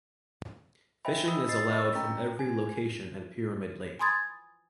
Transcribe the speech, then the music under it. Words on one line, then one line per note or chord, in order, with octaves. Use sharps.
Fishing is allowed from every location at Pyramid Lake.
C5 D#5 E5 G5 G#5 B5
B5 D#6 E6
D#5 A6 C7
A#4 D#5 B5 C#6 E6
C#4 G5 A#5
G#5
G#5 B5 C6 D#6 G#6 A6